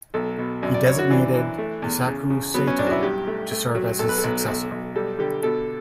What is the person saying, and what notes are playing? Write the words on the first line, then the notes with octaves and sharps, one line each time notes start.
He designated Eisaku Sato to serve as his successor.
B1 A4
B2
F#2 D5
D5
F#2 C#5
F#4
E3 D4
E3
A3
E2
C#3
C#3
F#3 B3
C#4
B1 D4
F#4
E4
G2 G4
A3
A3
F#3
B1 A4
B4
A4
B1
B1
B1
G3 A4
D3 G4
B2 A4